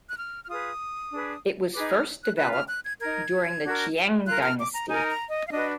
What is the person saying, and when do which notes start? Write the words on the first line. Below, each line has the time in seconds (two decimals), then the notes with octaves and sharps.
It was first developed during the Qing dynasty.
0.08 F#6
0.16 F6
0.43 F6
0.48 F4 G#4 B4 D#6
1.11 D4 G#4 B4
1.73 D#4 G#4 B4 D6
1.90 F6
2.21 F#6
2.36 F4 B4 F#6
2.52 F6
2.68 F#6
2.83 G#6
2.99 D#4 A#4 G#6
3.63 D4 F#4 A#4
4.25 F4 A#4 F#6
4.42 F6
4.57 D6
4.73 A#5
4.88 D#4 A#4 G#5
5.09 A#5
5.30 D#5
5.46 F5
5.50 D4 F#4 B4 D#5